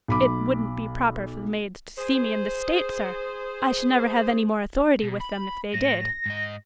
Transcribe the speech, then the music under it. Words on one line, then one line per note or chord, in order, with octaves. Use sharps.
It wouldn't be proper for the maids to see me in this state, sir; I should never have any more authority with them if they did.'
B1 B5 D6
G#4 C5
B2
B5
A2 A#6
G#2 D#5